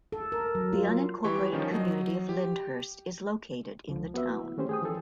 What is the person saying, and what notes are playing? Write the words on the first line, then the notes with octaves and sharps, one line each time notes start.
The unincorporated community of Lyndhurst is located in the town.
A4
A#4
F#3
F4
E3 G3 G4 G5 C#6
D#3 F3 C#4
F#3 D#5
G4
C#2 F3
B3 F#4 B4 E5
E4
D#3 A3 C#4 G4 C5
G#4 G5 D#6
E3 F3 G#4 A4